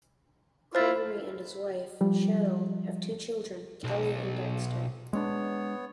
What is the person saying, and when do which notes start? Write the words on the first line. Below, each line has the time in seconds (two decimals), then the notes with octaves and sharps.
Krumrie and his wife, Cheryl, have two children, Kelly and Dexter.
0.75 E4 F4 C5 A6
2.01 F3 G3
3.84 B1
5.13 G#3 B3 C4 D4 C#5